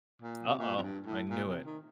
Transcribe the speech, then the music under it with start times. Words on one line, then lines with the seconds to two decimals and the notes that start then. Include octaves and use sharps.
Uh-oh, I knew it.
0.22 A#2
0.47 C3
0.58 A#2
0.77 F2
0.82 G2
1.06 A2
1.30 A#2
1.47 C3
1.65 D#3